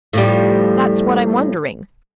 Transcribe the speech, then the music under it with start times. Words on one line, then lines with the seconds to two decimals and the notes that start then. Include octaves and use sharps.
That's what I'm wondering.
0.13 A2 F3 G3